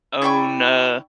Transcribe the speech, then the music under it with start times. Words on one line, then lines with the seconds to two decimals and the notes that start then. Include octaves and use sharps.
own, uh,
0.22 E4 D5 G5 C#6